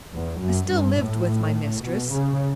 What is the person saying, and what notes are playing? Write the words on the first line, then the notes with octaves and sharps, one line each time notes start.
I still lived with my mistress.
E2
F#2
G2
A2
B2
C#3